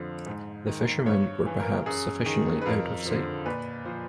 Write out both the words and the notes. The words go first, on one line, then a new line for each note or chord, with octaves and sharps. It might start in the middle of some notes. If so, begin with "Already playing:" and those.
The fishermen were perhaps sufficiently out of sight.
Already playing: F2 D3 F3
G#2
D#3
G2 C#5
E3
A#4
F#2 G#4
D#3 G#4
B4
F2 A#4
D3 F3
A#2 B4
F3 C5